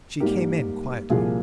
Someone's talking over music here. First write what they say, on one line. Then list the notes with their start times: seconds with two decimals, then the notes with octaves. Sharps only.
She came in quietly.
0.20 G#2 G3 A#3 G4 A#4
1.10 C2 A#2 F3 A#3 F4 G#4